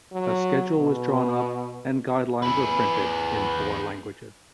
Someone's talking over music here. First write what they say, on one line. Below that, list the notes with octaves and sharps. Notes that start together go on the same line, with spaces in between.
A schedule was drawn up, and guidelines were printed in four languages.
F#3
B2
G#4 B4